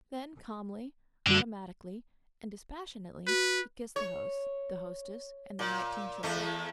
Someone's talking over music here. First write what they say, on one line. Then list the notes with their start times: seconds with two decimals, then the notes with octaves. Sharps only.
Then calmly, automatically, and dispassionately he kissed the host, the hostess, and their nineteen children.
1.27 F#2 D3 G3 F#4
3.27 F#4 B4
3.96 C#5
5.59 A#2
6.23 E2 A3